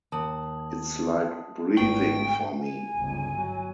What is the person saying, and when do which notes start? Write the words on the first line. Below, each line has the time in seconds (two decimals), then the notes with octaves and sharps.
It's like breathing for me.
0.12 D#2 A5 D#6 F#7
1.77 G#1 B3 G5 C#6
2.60 G#5
2.97 G1 C#2
3.36 F#3